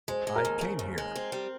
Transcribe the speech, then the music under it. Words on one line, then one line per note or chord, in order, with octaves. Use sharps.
I came here.
G#3 C5
G#3
A#4
D#2
C#3
D#2
G#3
C4
G3